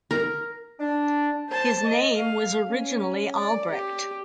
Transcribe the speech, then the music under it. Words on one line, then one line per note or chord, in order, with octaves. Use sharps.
His name was originally Albrecht.
A#4
D4
C5 A5
D#5
F5
C#4
D5
G4